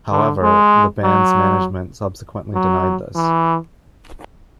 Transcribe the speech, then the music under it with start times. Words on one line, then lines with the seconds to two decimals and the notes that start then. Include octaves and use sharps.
However, the band's management subsequently denied this.
0.12 D3
0.42 G#3
1.03 F#3
2.54 F#3
3.15 E3